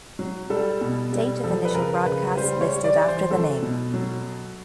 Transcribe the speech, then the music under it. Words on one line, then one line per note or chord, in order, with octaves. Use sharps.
Date of initial broadcast listed after the name.
F#3
G3 A4
B2
G3
F3 A4
B4
C#3 A#4
C#3 B4
G3 C5
C#5
G3
D5
E3
C5
F#3 A4
B2
F#3